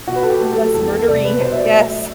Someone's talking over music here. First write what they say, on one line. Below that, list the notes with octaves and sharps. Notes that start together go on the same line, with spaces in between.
Less murdery. Yes.
B2 F#4
B4
A4
G4
F#3 A3
A4
E2 A4
A4
C3 G3 D5
B4
B2 C5
E5
D5
F#3 A3 E5
E5